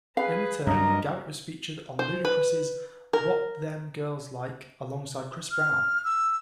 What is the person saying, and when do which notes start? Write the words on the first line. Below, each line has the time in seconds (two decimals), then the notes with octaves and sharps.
In return, Garrett was featured on Ludacris's "What Them Girls Like", alongside Chris Brown.
0.17 G#4 B4 F5
0.67 G2 F#3 A#3 A#4 D#5 A#5
1.99 C5
2.25 B4
3.13 A#4
5.51 F6
6.04 E6